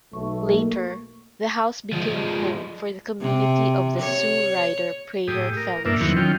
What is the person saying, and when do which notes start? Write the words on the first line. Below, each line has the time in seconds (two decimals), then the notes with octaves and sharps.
Later the house became home for the Community of the Sue Ryder Prayer Fellowship.
0.13 B1 A3 C#6
0.50 A#3
1.93 F3 G#3
3.20 C3
3.99 C#5
5.28 A2 G4 G#4 D#6
5.57 A#4
5.86 G2 A#2 A#3 D4 E5
6.01 E2 D#3 E3 F#3 C4 C#6
6.16 D#3 F#3 C#4 F4 G5